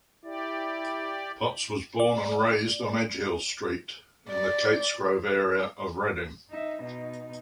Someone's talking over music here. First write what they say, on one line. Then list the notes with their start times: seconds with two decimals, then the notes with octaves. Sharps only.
Potts was born and raised on Edgehill Street in the Katesgrove area of Reading.
0.25 E4 G4 D5
2.00 D5
4.30 D5
6.50 D#4 E5
6.84 B2 D#4